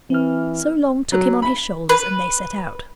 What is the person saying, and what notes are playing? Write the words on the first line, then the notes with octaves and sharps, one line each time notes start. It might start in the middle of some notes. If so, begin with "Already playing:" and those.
So Long took him on his shoulders and they set out.
E3 C4 F6
F#3
B5
B4